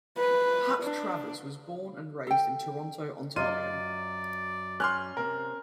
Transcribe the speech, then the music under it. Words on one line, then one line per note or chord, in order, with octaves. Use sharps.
Pat Travers was born and raised in Toronto, Ontario.
B4
D4
A4 G5
F#2 F#3 F4 D5 D#5 D#7
C#4 C6 F6 F#6
C3 C4 A#4